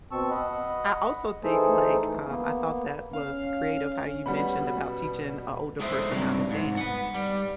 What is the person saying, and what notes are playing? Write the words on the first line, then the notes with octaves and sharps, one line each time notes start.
I also think, like um, I thought that was creative how you mentioned about teaching an older person how to dance.
B2 C4 A5 C#6 E6
D#5 F#5 B5
E3 A3 D#4 G#4 A4 C5
A#3 B3
C#4 F5
B2 G3 F#4 B5
A2 G#3 A3 G4 C5 E5
G2 C3 F#3
G#2
B4 F#5
G3